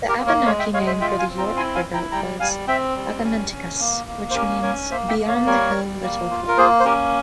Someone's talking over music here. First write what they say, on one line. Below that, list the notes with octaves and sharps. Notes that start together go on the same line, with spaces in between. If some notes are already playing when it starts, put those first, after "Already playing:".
The Abenaki name for the York River was "Agamenticus", which means "Beyond-the-hill-little-cove".
G4 A#4
A#3
A#4 C#5
G#3 C#5 F5
E5 G5
G#3 C#5 F5
C5 E5
F4 E5 G5
F5 G#5
C4
G5 A#5
E4 G#5 C6
F5 G#5
E4
G5 A#5
G3 G5 A#5
G3 F5 G#5
C4 E5 G5
G3
C#4
C#4
A#3
A#3
C5
C#4 G4 A#4
C#4 A#4 C#5
A#3 C5 E5
E5 G5
A#3
C#5 F5
G3 A#4 C#5
G3
A#3
F4
A#4
A#3 G#4 C5
C5
C#4 G4 A#4